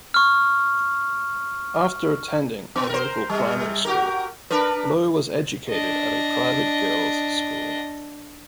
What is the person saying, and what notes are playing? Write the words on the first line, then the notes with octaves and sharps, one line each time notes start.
After attending a local primary school, Blow was educated at a private girls school.
C#6 F6
B3
A#4 C5
C3 G3
F#4 G4 A#4
D4 A#4 B4
D4 D#5